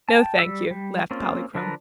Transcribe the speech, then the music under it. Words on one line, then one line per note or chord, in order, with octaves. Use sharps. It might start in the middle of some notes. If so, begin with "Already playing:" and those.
"No, thank you," laughed Polychrome.
G5 A5
G3 E6
G3
A#3 C4 C#4 F4
D3 F3 D4 A#4 B4